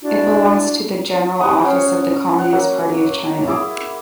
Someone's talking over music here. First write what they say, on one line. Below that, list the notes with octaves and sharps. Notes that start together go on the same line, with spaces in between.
It belongs to the General Office of the Communist Party of China.
D4 E4 F#4
G4 F#5 D#6
C#4 F#5 C6
F#5
F#3 A#3
E4 G#4 D6